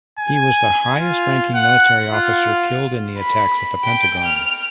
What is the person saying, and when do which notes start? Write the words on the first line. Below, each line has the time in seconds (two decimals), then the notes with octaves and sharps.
He was the highest-ranking military officer killed in the attacks at the Pentagon.
0.19 G#5
0.97 F4
1.55 F#5
2.13 F4
3.18 B5
3.85 G5
4.25 F6